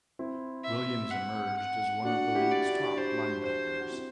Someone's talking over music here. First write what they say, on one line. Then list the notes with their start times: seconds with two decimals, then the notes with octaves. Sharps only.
Williams emerged as one of the league's top linebackers.
0.19 C4 E4
0.65 E5
1.11 F#5
1.58 F#5
2.04 D4 F#4 F#5
2.35 E4 G4
2.51 D5
2.66 D4 F#4
2.97 D4 F#4 C5
3.44 C5
3.80 F#4
3.90 C4 E4